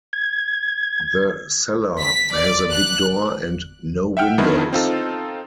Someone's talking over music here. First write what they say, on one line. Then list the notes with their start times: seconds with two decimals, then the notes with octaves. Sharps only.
The cellar has a big door and no windows.
0.13 G#6
1.99 B6
2.34 D5
2.71 F#6
4.17 E5 F#5 G5 F6
4.38 F2 D3 D#3 B3 D#4 E4
4.73 C4 D#4 F4 A4